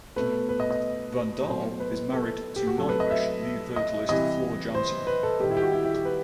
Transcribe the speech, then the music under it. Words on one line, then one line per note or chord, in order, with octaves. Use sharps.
Van Dahl is married to Nightwish lead vocalist Floor Jansen.
B2 A3 B4
B4
D#5
D#5
B2 F#3 A3 C5
B4
A4
G4
F#4
C3 F#3 A3 A4
B4
D#5
E5
D#5
C3 E3 G3 D#5
C5
B4
A4
D#3 G3 G4
E4
G4
F#4
E4
E4
G4
B4